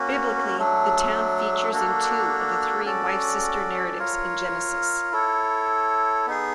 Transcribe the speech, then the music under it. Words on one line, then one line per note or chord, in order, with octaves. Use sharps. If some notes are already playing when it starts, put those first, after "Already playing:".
Biblically, the town features in two of the three Wife-sister narratives in Genesis.
Already playing: A#3 C#4 F#4
F#3 A3 D4
A#3 D4 F#4 A4
C#4 F#4 A4 D5
F4 A#4 C#5
E4 A4 C#5
B3 D#4 G#4